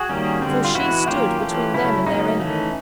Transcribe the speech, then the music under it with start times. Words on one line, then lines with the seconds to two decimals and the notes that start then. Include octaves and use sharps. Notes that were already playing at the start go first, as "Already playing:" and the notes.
For she stood between them and their enemy.
Already playing: F#4 G#4
0.09 D#3 G3 A#3 C#4
0.42 D3 G3 C4
0.65 F4
0.74 E3 G#3 B3 E4 F#4
1.07 D#3 F#3 A#3 C#4 F4 G4
1.41 E3 A3 C#4
1.74 C#3 F#3 A3 C#4 E4
2.07 C#3 F#3 A#3 C#4 D#4
2.40 E3 A3 C#4